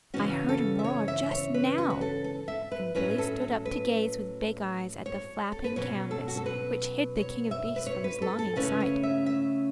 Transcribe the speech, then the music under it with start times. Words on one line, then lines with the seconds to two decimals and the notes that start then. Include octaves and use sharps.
"I heard 'em roar just now;" and Billy stood up to gaze with big eyes at the flapping canvas which hid the king of beasts from his longing sight.
0.14 C#3 E3 C#4 F#4
0.49 A4
0.79 E5
0.84 C#5
1.08 E5
1.31 C#5
1.54 B4
1.78 F#4
1.90 B4
2.01 A4
2.24 A4
2.48 E5
2.72 B4
2.95 A2 F#3 C#4 E4 B4
3.18 A4
3.41 A4
3.65 B4
5.06 C#5
5.52 A4
5.64 B4
5.76 B2 F#3 C#4 C#5
6.11 A4
6.28 F#4
6.37 A4
6.46 B4
7.17 C#5
7.51 E5
7.76 B4
7.87 C#5
8.04 B4
8.22 A4
8.39 A4
8.56 C#3 A3 C#4 E4 B4
8.80 C#5
9.03 E5
9.26 E5